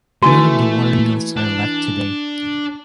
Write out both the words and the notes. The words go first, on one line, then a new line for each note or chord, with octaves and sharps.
None of the watermills are left today.
E3 A3 F#4 G#5 D#7
D4